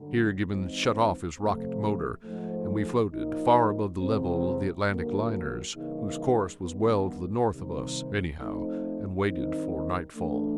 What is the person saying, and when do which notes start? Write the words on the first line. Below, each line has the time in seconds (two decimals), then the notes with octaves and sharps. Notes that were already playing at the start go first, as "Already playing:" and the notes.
Here Gibbons shut off his rocket motor, and we floated, far above the level of the Atlantic liners, whose course was well to the north of us anyhow, and waited for nightfall.
Already playing: F#2 D3 G3
0.47 G#2 E3 G#3 C4 D#4
1.34 C3 F3 A3
2.22 G#2 F3 A3
3.10 A#2 F3 A#3 D#4 G4
3.97 E2 C3 F3 G#3 C4
4.85 G2 D3 F#3 A#3
5.74 C#3 E3 G3 A#3 D#4
6.61 G2 D#3 G3 B3
7.49 C3 D#3 G3
8.38 F3 A3 C4 D#4
9.25 G2 D#3 G3 C4 D#4
10.13 E3 A3 D4